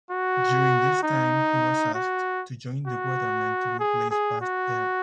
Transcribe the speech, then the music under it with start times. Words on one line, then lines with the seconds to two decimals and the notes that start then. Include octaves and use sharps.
During this time he was asked to join The Weathermen to replace Vast Aire.
0.11 F#4
1.03 D#4
1.95 F#4
2.87 F#4
3.79 G#4
4.11 G#4
4.42 F#4